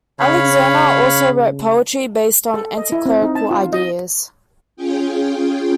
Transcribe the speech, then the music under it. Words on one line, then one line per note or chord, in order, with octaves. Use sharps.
Alxinger also wrote poetry based on anticlerical ideas.
C#3 C#5 F5 B5
A4
D#5
E4
C4
D#4
A5
F4
D#5
C#4 F4 G#4 G5